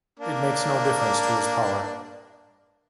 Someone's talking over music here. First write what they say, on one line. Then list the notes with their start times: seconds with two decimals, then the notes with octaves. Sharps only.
It makes no difference to his power.
0.20 A#3 D4